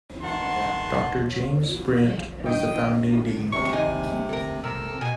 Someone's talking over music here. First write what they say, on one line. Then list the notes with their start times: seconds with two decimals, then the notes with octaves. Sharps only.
Doctor James Bryant was the founding Dean.
0.22 D#3 E3 F#4 F#5 A5 C6
2.46 G2 D#3 G5 D#6
3.52 C3 C#6
3.73 E2 C#3 D#4 G#5
4.29 D2 A4 A#4
4.64 C3 A#4 E6
5.01 B2 G#5